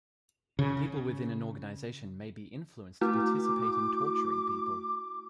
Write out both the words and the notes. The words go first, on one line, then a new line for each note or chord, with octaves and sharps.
People within an organization may be influenced to participate in torturing people.
C#3
A3 E4 F#4 D6